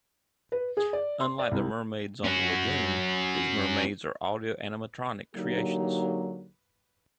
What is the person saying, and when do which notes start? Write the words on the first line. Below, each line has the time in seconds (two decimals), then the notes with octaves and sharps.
Unlike the mermaids on the lagoon, these mermaids are audio-animatronic creations.
0.52 B4
0.77 G#4
0.93 D5
1.21 C6
1.39 D5
1.51 C2
2.25 C#4 F#4
5.35 D3 F#3 A#3 D#4 G4